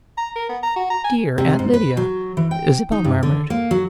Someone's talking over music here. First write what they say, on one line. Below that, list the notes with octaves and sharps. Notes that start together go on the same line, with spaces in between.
"Dear Aunt Lydia," Isabel murmured.
A#5
A#4
B3
A#5
F#4
A#5
G#5
C3
G#2
B4
F#3
E3
G5
D#4
G2
D3
A#3
F#3